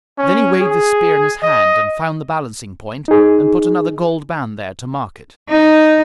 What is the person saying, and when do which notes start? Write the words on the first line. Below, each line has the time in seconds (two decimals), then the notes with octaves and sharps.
Then he weighed the spear in his hand and found the balancing point and put another gold band there to mark it.
0.18 C#4
0.60 G#4
1.43 D#5
3.08 D#4 G#4
5.49 D#4